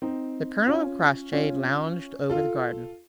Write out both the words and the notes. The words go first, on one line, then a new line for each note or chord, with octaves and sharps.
The colonel and Crossjay lounged over the garden.
C4 D#4
C#4 F4
C#4 F4
F4 A4